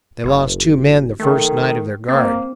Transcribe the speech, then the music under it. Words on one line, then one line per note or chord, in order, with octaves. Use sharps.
They lost two men the first night of their guard.
F#1
D#3 A3
A#3 C4